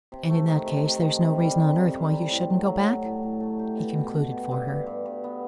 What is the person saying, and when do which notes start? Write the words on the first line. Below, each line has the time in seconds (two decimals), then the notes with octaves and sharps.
"And in that case there's no reason on earth why you shouldn't go back?" he concluded for her.
0.12 C3
0.30 A3
0.48 D#3
0.66 C3
0.85 C3
1.03 D#3
1.21 C3
1.39 G3
1.58 C3
1.76 C3
1.95 G3
2.13 C3
2.31 A2
2.50 F#3
2.68 F#3
2.86 A2
3.04 A2
3.23 A2
3.40 A3
3.59 G4
3.77 B2
3.95 B2
4.14 B2
4.32 B2
4.51 G2
4.68 G2
4.86 G2
5.06 G2
5.24 B3